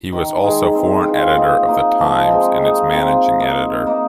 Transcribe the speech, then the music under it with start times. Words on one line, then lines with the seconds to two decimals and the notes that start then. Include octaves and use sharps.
He was also foreign editor of the Times, and its managing editor.
0.12 D#3
0.44 D#3 G#3
0.75 G#3 C4
1.06 C4 F4
1.37 A#3 D#4
1.68 A#3 D#4
1.99 F3 A#3
2.25 D#4
2.31 G#3 C4
2.61 A#3 D#4
2.93 C4 F4
3.40 A#3 D#4
3.86 A#3 D#4